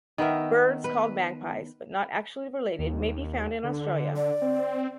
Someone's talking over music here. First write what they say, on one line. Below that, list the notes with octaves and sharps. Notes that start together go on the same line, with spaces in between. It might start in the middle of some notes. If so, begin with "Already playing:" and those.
Birds called magpies but not actually related may be found in Australia.
D#3 B3 A#4 E5
B4
D#2
D3
D5
C4